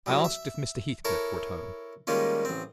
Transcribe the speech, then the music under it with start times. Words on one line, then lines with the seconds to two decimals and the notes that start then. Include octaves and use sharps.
I asked if Mr. Heathcliff were at home?
0.06 A2 F#3 G3
0.24 E5
1.05 E4 A4 A#4 C#5
2.07 D#3 G3 G#3 A#3 C#4 F4
2.45 A1 C4